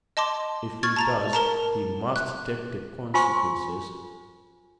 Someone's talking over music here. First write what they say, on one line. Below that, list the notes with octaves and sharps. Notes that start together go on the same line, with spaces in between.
If he does, he must take the consequences.
D#5 A5 C6 D6
C#6 F6 G#6 A6
A5 A#5 A6
A#4 A5 A#5
F#6
F4 C5 G#5 C6 C#6